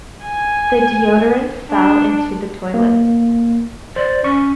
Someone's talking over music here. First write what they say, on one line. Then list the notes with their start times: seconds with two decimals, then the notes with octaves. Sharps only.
The deodorant fell into the toilet.
0.23 G#5
1.70 D4
2.74 A#3
3.96 C5 D5
4.24 C#4 C#6